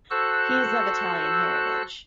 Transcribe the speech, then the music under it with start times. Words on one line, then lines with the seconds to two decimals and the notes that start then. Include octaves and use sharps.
He is of Italian heritage.
0.11 F#4 A4 C5 E6 F#6